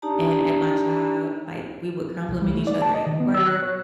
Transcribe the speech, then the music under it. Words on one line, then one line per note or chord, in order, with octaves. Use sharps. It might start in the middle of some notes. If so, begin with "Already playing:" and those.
and at my job, like, we would compliment each other at work,
D4 D#4 G4 D5 A5 A#5
C2
G3
A3
D5
A5
D#5
D#3
B3
E6
F#6
C#5